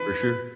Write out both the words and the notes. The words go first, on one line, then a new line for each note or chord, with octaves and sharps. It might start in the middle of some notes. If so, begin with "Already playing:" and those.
For sure.
Already playing: B4